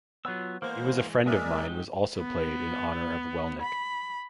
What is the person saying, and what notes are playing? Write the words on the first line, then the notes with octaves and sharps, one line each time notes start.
"He Was a Friend of Mine" was also played in honor of Welnick.
F#3 B3 F4 C#5 E6
E3 G#3 A#3 B3 C5 C#5
G#3 A#3 A#4 D5 E5 G#5 F6
F#3 D#4 G4
B3
B5